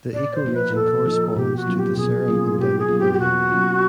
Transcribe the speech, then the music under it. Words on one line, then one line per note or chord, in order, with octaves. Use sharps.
The ecoregion corresponds to the Seram endemic bird area.
A#2 D5
C5
F3 A#3 D#4
B4
A#2 A4
F3 A#3 D#4
B2 G4
F#4
F#3 A#3 C#4 F4
G4
B2 G#4
F#3 A#3 C#4 F4
B2 G4
G#4
F#3 A#3 C#4 F4
G4
G4
B2 F#4
F#3 A#3 C#4 F4